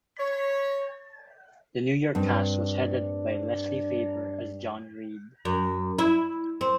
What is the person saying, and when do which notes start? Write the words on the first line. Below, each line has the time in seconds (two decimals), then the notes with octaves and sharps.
The New York cast was headed by Leslie Faber as John Rhead.
0.19 C#5
2.15 G2 C4 D4
5.45 F#2
5.99 E4
6.61 C4